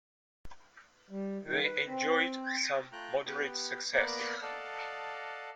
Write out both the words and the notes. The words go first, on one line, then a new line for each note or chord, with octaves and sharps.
They enjoyed some moderate success.
G3
D#3
B4
C4
A3 F4 G5 A#5 F#6
B3 G4
A#3 B3 A#4 D5 B5
A4 D5 D#5 F5 F#5 A5